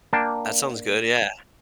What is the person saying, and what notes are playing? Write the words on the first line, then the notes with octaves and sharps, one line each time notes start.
That sounds good, yeah.
A#3 D4 G5 A5